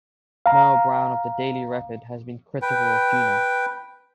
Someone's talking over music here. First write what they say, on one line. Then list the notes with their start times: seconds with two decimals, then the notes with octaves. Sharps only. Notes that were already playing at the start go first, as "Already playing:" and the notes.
Merle Brown of the "Daily Record" has been critical of Gina.
0.46 F5 A#5
2.62 B4 G5